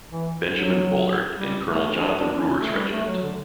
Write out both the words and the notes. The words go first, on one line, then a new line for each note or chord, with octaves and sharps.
Benjamin Bullard in Colonel Jonathan Brewer's regiment.
E3
F#3
G3
A3
D4
D4
D4
C#4
A3
G3
A3
F#3
D3